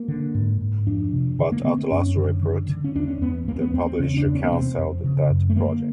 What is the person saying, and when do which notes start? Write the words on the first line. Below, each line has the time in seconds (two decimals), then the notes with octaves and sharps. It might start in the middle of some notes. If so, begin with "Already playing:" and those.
But at last report, the publisher canceled that project.
Already playing: A#3
0.08 D3
0.35 G#2
0.61 G#2
0.87 F2 D4
1.13 C3
1.39 D3
1.52 A#3
1.64 D3 B3
1.78 C4
1.91 F#2 C#4
2.17 D3
2.43 D3
2.69 D3
2.84 C#4
2.95 E2 D4
3.08 C#4
3.21 E2 B3
3.48 E2 A#3
3.56 C4
3.61 B3
3.74 E2 C4
3.86 C4
4.00 C#3 C#4
4.17 D4
4.26 E2
4.35 C#4
4.44 B3
4.52 C3 C4
4.78 F2
5.04 C#3
5.30 F#2
5.50 A3
5.56 D3 A#3